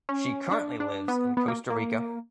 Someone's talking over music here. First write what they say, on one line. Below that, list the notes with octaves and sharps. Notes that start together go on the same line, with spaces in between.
She currently lives in Costa Rica.
C#4
D4
D4
B3
B3
A#3
A#3